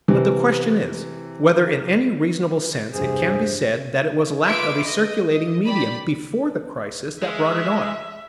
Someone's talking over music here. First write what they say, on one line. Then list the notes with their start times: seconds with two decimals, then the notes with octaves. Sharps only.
But the question is, whether in any reasonable sense it can be said that it was lack of a circulating medium before the crisis that brought it on.
0.08 C3 E3
2.93 E2 G2 C3 G#4 C5
4.44 F4 B4 E5 D6 D7
4.86 D#5
5.29 D#5
5.65 G4 D5 B5
7.22 G#3 E5